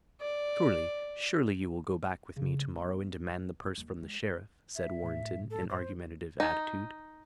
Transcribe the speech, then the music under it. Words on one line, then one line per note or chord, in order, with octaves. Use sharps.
"Surely, surely, you will go back with me to-morrow and demand the purse from the Sheriff?" said Warrenton, in argumentative attitude.
D5
C#3
D#1
B3
E3
D#2 F#3
D#3 G#3
E5
A2
A4
C5
D#4